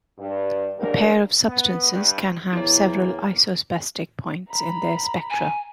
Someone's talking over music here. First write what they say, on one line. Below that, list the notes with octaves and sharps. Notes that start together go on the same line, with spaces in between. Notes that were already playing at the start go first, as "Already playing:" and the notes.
A pair of substances can have several isosbestic points in their spectra.
G2
D#2 G#2 D4 G4 A#4
B3
G2
E2 A#3 E4 C#5
A#5 B5
G#5